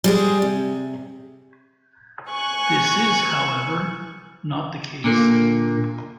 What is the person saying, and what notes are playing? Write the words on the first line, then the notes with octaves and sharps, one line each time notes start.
This is, however, not the case.
G3 G#3 G#4
C3
G#5 C#6 F#6
A#2 D3 A#3